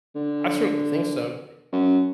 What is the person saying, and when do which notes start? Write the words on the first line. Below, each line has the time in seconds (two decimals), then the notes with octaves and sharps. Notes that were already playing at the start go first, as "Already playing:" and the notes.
I certainly think so.
0.16 D3
1.72 F#2